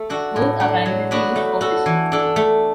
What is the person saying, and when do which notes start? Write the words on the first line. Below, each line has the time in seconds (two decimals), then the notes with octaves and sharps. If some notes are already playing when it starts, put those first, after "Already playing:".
Both are primarily used for fishing.
Already playing: A3
0.10 D4 F#4 A4
0.36 A2
0.60 A3 D4
0.86 F#3
1.11 B3 D4 F#4 B4
1.36 A3
1.61 F#4 A4
1.86 E3
2.12 D4 A4
2.36 A3